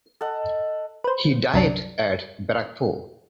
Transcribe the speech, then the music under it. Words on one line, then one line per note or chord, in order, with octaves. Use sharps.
He died at Barrackpur.
A4 D#5 F#5
B4 C5
C2 F#2 D4